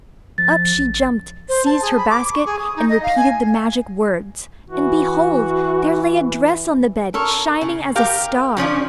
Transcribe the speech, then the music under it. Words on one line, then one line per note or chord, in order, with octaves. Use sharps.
Up she jumped, seized her basket, and repeated the magic words, and behold! there lay a dress on the bed, shining as a star.
F3 A6
A1
C5
A5
G#4
B5
D6
C#6
G#4
D#6
D#4
D#5
F5
G#5
E3 F#4
A4 A#4 C#5
C#3
G4 A#4 F5
C#3 F3 C#4 D4